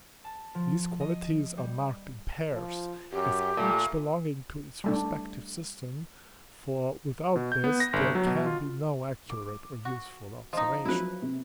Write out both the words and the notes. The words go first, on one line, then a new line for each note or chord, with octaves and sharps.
These qualities are marked in pairs, as each belonging to its respective system; for, without this, there can be no accurate or useful observation.
A5
F3
D#5
G3
F3
F#2 G4
A#2 A3
G3 A3 D4
B2
G6
B3
A#6
G1
F#3
B2
F4
D6
F#4
F3 D#4 D#5
F3 F#3 E4 B4
C3